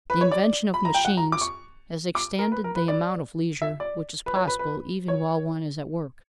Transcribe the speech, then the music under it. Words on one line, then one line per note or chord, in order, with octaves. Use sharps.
The invention of machines has extended the amount of leisure which is possible even while one is at work.
B4
C#5
D5
B5
A#5
G5
F#5
A#5
D6
C#6
D6
A#4
B4
A#4
B4
D5
E5
D5
B4
C#5
B4
B4
C#5